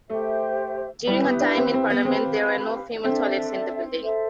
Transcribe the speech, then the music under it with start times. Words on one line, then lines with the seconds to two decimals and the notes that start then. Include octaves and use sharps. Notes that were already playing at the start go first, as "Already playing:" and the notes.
During her time in Parliament there were no female toilets in the building.
0.10 A3 G4 C5 E5
1.07 G3 E4 G4 B4
1.24 B3
1.41 D4
1.57 C4
1.73 C4
1.90 B3
2.05 C4 G4 B4 F5
3.04 C4 D4 A4 E5
4.02 A4 C5 E5